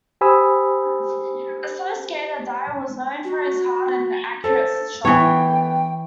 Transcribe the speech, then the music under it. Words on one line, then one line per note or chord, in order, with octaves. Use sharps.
A slow skater, Dye was known for his hard and accurate shot.
G4 C5 G#5 B5 D#6 E6
F#4
A4 C5
E3 B3 C#5 G5 G#5